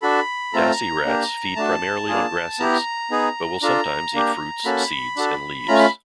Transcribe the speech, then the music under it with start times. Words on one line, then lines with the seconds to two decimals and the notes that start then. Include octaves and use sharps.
Dassie rats feed primarily on grasses, but will sometimes eat fruits, seeds, and leaves.
0.02 D4 F#4 A4 B5
0.53 A3 C4 F4 A4 A#5
1.05 A#3 D4 G4
1.56 A3 D4 F#4 A5
2.08 A#3 D4 F4 G#4
2.59 B3 E4 G4 A#5
3.11 B3 D#4 G#4
3.62 D4 F4 A4 A#5
4.14 A#3 D4 G4
4.65 A#3 C#4 F#4 A4 B5
5.16 D4 F#4 A4
5.68 A3 C#4 F4 A#5
5.79 B5